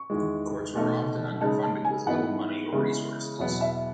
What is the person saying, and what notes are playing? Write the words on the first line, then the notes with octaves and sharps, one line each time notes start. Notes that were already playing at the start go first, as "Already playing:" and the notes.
Courts were often underfunded, with little money or resources.
Already playing: C#6
E2 D#3 G#3
B2 A3 D#4
C#3 G#3 D#4 A5
A5
G#5
G#2 E3 B3 D#4 F#5
C#3 E3 G#3 B3
E2 B2 F#3 B3 E5
E5